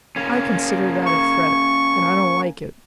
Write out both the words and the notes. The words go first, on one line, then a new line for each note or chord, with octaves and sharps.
I consider that a threat, and I don't like it.
A#3 C#4
C#6